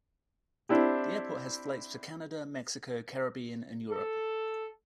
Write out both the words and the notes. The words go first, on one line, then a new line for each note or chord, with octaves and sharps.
The airport has flights to Canada, Mexico, Caribbean, and Europe.
C4 D4 E4 G4
A4